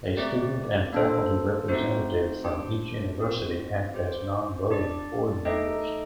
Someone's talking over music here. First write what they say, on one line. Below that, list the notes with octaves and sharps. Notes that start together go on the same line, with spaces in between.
A student and faculty representative from each university act as non-voting Board members.
A3 C4 G4 D5
A#3 D4 A4 C5
A3 C4 D#4 F#4 C5
D4 G4 C5 G5
C4 F#4 C5
G4 C5 G5
D4 G4 D5
A3 D#4 A4 D#5 G5